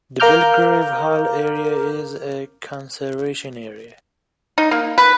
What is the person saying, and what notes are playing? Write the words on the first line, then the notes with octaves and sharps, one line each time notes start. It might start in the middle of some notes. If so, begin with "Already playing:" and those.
The Belgrave Hall area is a conservation area.
A#4 F5 A#5 D6 F6 G6
D#4
A#3
B4